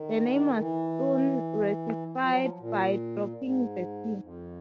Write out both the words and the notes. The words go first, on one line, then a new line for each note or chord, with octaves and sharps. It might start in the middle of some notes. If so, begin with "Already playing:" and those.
The name was soon Russified, by dropping the "c".
Already playing: D#3
D#3
E3
F3
F#3
F3
A#2
G#2
F2